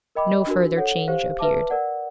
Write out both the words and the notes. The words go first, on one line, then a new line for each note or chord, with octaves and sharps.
No further change appeared.
A#4 D#5 G5 B5 D6
D4 F#4 A#4
A4 C#5 F#5
G4 C5 F5
B4 E5 A5 D6
A#4 D5 F#5